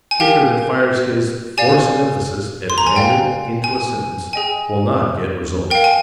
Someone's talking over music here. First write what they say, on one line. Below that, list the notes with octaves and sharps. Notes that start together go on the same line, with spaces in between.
The speaker that fires his force and emphasis at random into a sentence will not get results.
G#5
G4 A#4 F5 G5
G4 D5 F5 G#5
C6
A#5
G#5
A#4 D5 F5 G5
G#5
G#4 D#5 G5 G#5
A#4 F5 G5
G#5